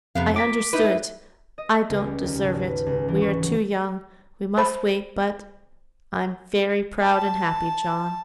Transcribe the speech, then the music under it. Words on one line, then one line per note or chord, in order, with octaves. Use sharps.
I understood--I don't deserve it--we are too young, we must wait, but--I'm very proud and happy, John!'
F2 C3 B3 F5
F3 D6 B6
D#4 E4 B4
D#5
C#2
G3
D#2
G#1
B4
C#2
E3
C#6
F#3
C5 B5
A5